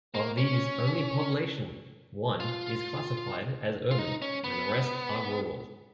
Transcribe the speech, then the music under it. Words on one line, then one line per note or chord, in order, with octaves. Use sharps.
Of these, only Poblacion I is classified as urban and the rest are rural.
A#3
C#4
F4
F4
D#4
C#4
B3